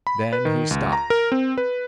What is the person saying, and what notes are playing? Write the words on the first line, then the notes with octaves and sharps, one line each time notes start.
Then he stopped.
B5
B4
D#3
C#2
A#5
A#4
C4
B4